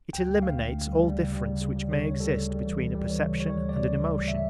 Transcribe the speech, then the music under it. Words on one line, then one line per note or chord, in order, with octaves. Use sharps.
It eliminates all difference which may exist between a perception and an emotion.
D2 G5
D2
D2 F5
D2
D2
G3
G3
C#3
G3
C#3
C#3
G3
C#3 C#5
D2
G3 A4
D2
G3
E3
D2
G3
E3 C#5
C#3
G3 C#5
D2
C#3 D5
D2
C#3
G3
C#3 E5